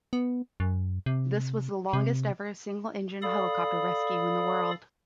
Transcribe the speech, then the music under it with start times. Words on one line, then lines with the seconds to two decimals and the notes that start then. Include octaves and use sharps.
This was the longest ever single-engine helicopter rescue in the world.
0.13 B3
0.60 F#2
1.06 C3
1.93 C3
3.22 A4 D5 F5 B5 D#6